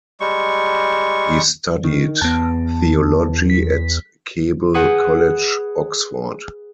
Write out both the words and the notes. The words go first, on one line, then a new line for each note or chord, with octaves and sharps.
He studied theology at Keble College, Oxford.
G3 G#3 C#6
D3 D#3
E2 B3 A5
B6
G#4 B4 F#5